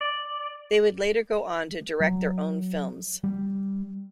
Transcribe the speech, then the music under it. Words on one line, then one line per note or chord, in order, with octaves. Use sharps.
They would later go on to direct their own films.
D5
F#3
G3